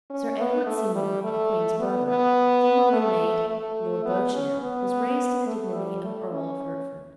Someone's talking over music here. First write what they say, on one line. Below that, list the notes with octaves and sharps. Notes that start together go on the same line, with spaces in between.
Sir Edward Seymour, the queen's brother, formerly made Lord Beauchamp, was raised to the dignity of earl of Hertford.
C#4
B3
A3
G3
A3
B3
B3
A3
A3
B3
C#4
B3
A3
G3
A3
C#4